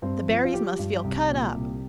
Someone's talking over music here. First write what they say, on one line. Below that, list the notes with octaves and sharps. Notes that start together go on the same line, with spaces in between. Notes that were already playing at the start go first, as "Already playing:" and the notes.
The Barrys must feel cut up.
G2 C4
F3
F4
F3 G4
G2
C2
A#2
C2